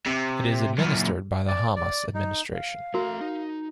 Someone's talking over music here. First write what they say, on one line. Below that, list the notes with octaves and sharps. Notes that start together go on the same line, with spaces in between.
It is administered by the Hamas administration.
C3
F#2 A#2
D5
D5
D#4
F5
A3 F#4 A#4 A#5
D#4